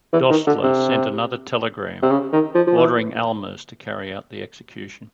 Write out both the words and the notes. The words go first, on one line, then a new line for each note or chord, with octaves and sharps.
Dostler sent another telegram ordering Almers to carry out the execution.
E3
D#3
D3
C3
C3
C#3
D#3
F3
F3
E3